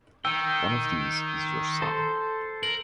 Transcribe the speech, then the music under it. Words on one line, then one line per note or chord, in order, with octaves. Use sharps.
One of these is your son.
D#3 G5 E6
A4 C5
A#4 F#7